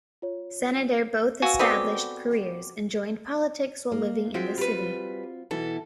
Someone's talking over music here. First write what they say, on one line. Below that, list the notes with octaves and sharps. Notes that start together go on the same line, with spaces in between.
Senator both established careers and joined politics while living in the city.
F4 C#5
F#4 B4 F5 G#5 E6
B3 C4 G4 A4 D5
A#3
G#3 C4 F4 F#4 E5 G5
G3 B4
B2 E3 E4 A4